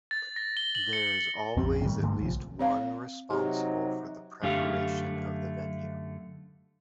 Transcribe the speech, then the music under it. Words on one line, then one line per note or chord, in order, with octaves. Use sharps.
There is always at least one responsible for the preparation of the venue.
A6
A#6
G7
F#7
C#7
A#1 F2 D3 C4
A2 D#3 G3 A3
G2 D3 A3 A#3
B1 C3 F3
C4 C#5 F5
C3 F#3 D#4 G4
F#2 D3 A3 G4 F5